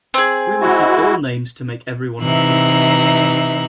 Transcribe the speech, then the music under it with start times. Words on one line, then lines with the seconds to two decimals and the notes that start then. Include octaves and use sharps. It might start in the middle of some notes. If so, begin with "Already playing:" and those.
We will keep all names to make everyone happy.
0.14 C4 G#4
0.61 G#3 E4 F#4
2.21 C3 E3 D#4 E5 A#5 F#6